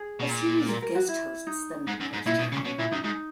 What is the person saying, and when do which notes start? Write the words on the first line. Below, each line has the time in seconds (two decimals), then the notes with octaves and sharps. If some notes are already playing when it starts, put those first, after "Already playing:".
A series of guest hosts then replaced her.
Already playing: G#4
0.20 B2
0.29 A#2
0.69 A#4
0.82 A#4
0.95 F#4
1.08 E4
1.47 D#4
1.87 G#2
2.00 F#2
2.13 G#2
2.26 A#2 E4
2.39 B2 D#4
2.51 C#3 C#4
2.65 B2 C#4
2.78 A#2 E4
2.91 F#2 D#4
3.04 G#2 D#4